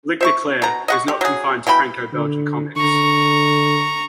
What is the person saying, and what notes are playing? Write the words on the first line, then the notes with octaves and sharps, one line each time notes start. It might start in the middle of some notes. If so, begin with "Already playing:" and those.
"Ligne claire" is not confined to Franco-Belgian comics.
C5 E5 C#6
B2 A#5
D#5 F#5 C#6
G4
F#3 G#4
B2 E3 G5 B5
D3
D3 A#5 C#6